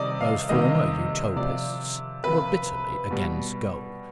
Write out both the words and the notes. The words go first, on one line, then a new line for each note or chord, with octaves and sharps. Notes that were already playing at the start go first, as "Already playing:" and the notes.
Those former Utopists were bitterly against gold.
Already playing: C3 D#3 G3 D5 D#5
F5
C3 D#3 G3 D#5
C3 F3 D5
C3 F3 B4
B2 G3